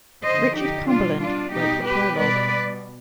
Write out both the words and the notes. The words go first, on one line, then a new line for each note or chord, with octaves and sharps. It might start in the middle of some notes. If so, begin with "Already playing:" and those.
Richard Cumberland wrote the prologue.
D3 F3 C5 D#5
D#4 G4
B2 G3 D4 F4
D4 F4
B2 G3 D#4 G4
G4 B4
B2 G3 B4 D5